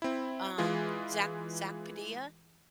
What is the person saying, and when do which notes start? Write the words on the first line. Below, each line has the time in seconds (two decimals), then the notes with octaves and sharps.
um, Zack Zack Padilla
0.02 C4 E4
0.58 E3 G#3 F4 G#4